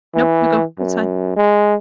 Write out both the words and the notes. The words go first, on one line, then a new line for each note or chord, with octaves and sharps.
Nope, you go. That's fine.
E3
F#2
G#3